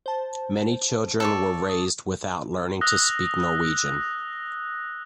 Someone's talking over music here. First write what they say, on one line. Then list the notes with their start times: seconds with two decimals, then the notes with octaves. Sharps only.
Many children were raised without learning to speak Norwegian.
0.06 C5 A5
1.20 A4 C#5 D5
1.69 D#6
2.81 D#6 E6 F#6 A#6 G7